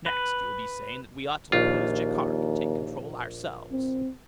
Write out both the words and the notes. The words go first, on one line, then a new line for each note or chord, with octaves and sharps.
"Next, you'll be saying that we ought to depose Jaikark and take control ourselves."
B4
A#1 D#2 F4
C4